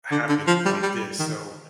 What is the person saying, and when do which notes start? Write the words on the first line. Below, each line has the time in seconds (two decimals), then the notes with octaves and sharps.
happen like this, so
0.11 D3
0.29 D3
0.47 F3
0.65 G3
0.83 G3
1.19 D#3